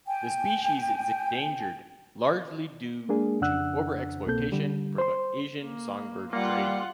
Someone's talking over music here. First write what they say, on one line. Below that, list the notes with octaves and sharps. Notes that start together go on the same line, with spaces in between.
The species is endangered largely due to overexploitation for the Asian songbird trade.
G5 G#5
G#3 A#3 D4 G#4
F2 C#3 D4 F#5 E6 F#6
C2 B2 A#3 C4 A4 G6
D3 G3
C5 C6
A#3
G3 A#3 F4 F#5